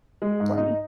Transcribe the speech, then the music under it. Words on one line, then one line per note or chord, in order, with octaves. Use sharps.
for me.
G#3
G#2
D#4